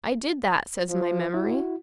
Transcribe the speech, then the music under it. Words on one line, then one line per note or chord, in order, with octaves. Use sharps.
"I did that," says my memory.
F3
E4 F#4